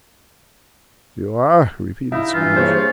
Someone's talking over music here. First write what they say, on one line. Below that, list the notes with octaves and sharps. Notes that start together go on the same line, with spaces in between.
"You are?" repeated Scrooge.
D#4 E4 F5 B5
G2 E3 F4
A#3 G#4 C5 C#5